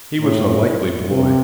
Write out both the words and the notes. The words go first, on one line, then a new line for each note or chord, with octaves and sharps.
He was a likely boy.
A2
C3